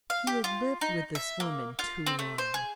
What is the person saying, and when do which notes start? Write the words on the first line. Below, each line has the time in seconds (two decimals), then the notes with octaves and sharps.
He had lived with this woman too long.
0.10 F5
0.27 G4
0.44 F4
0.81 D#4
1.15 E5
1.40 A#3
1.79 F4
2.06 C4
2.19 A3
2.38 C5
2.54 G#4